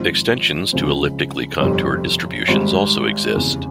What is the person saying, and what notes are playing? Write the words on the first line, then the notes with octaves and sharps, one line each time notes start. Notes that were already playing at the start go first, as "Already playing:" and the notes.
Extensions to elliptically-contoured distributions also exist.
Already playing: G#1 G#2 F3 C4 F4
C#2 C#3 F3 C4
G1 F2 C3 G3
G#1 G#2 G3
F1 E2 C#3